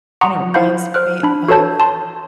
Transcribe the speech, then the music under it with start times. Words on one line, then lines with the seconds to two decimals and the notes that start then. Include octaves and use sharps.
and it reminds me of,
0.21 F#5 A#5 C6 C#6 D#6
0.54 E4 C5 F5 F#5 B5 G6
0.94 C5 F6 F#6
1.23 D4 B5
1.48 F#4 A4 B4 C#5 A5 G6
1.80 A5 C6